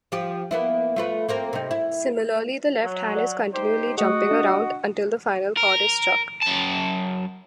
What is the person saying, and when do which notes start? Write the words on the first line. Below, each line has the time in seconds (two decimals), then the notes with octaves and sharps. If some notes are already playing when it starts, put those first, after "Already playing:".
Similarly, the left hand is continually jumping around until the final chord is struck.
0.12 F3 G4
0.51 A#3 B3 E4
0.96 A3 F4 B4
1.28 A#3 C4 A#4
1.53 C3 D#4
1.71 E4
2.83 F#3
3.17 D5 F#5
3.54 D#4 G4 C5
3.98 A3 F#4 G#4 D#5
4.31 D4
5.57 A#4
6.43 F#2 A5